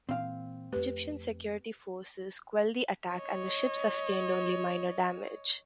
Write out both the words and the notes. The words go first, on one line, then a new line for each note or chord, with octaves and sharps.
Egyptian security forces quelled the attack and the ship sustained only minor damage.
A#2 E3 C4 F5
F2 A3 G4 B4
C#5 D#5